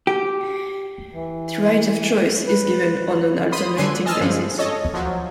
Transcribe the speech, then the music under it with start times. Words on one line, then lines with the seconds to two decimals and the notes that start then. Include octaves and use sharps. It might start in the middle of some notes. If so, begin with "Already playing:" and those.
The right of choice is given on an alternating basis.
0.07 G4
1.13 E3
2.47 B4
3.52 B5 C6 D#6 D#7
3.77 D3 B4 G#5 C6 D7
4.06 D#5 G#5 A5 E6 F6
4.20 G2 F3 G#3
4.58 A4 C#5 D#5
4.94 F3 F#3